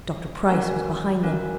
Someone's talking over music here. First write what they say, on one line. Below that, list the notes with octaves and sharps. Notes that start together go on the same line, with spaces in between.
Dr. Price was behind them.
C#4 F#4 A#4 F5 G#5
C#4 F#4 A#4 F5 G#5